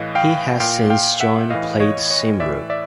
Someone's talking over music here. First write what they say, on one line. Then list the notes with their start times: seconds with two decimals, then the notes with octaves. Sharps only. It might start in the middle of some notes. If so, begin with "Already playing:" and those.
He has since joined Plaid Cymru.
Already playing: A2 E3 D#5 F5
0.15 F5 G5
0.60 A#2 F5 G5
0.90 F5 G5
1.20 E5 F#5
1.50 A2 E3 D#5 F5
1.80 C#5 D#5
2.10 C#5 D#5
2.40 A2 E3 D5 E5
2.70 D5 E5